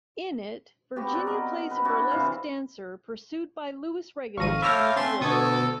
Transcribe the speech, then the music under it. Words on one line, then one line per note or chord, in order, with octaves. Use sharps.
In it, Virginia plays a burlesque dancer pursued by Lewis regular Thomas Wood.
B3 C4 F#4 G4
D5 F#5
A#4 D#5
B4 B5
D4 E4 F#4 E5
C3 E3 C5 F5
G#1 F2 F5 C#6 A#6 D#7
A2 E5 B5 D6 F6 G6 A#6
A3 C4 C#4 C6
D2 B2 D3 B3 A4 C#6 D#6 G#6